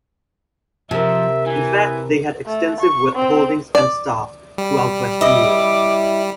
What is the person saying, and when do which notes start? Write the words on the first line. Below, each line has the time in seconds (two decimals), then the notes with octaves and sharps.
In fact, they had extensive holdings and staff throughout Western Europe.
0.91 C3 F3 A#4 E5 A5
1.47 E3 G#5
2.46 A3
2.81 C#6
3.15 C4
3.75 D5
4.58 G3
5.21 E4 D#5 D6